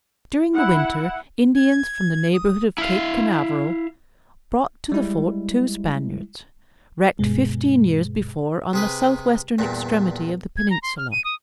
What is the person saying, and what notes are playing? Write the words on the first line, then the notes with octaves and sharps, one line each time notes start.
During the winter, Indians from the neighborhood of Cape Canaveral brought to the fort two Spaniards, wrecked fifteen years before on the southwestern extremity of the peninsula.
E4 F#5
G#6
D#6
E4 F5
G3 G#3 E4
G2 B2 G#3
C3 G#4 B4
E2 G2 A#2
G#6
A#5
C6
F6
D#7
D#6